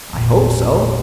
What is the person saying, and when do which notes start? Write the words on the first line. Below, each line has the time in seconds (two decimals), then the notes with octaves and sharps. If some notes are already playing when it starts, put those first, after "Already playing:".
"I hope so."
0.14 G#1 E2 A#2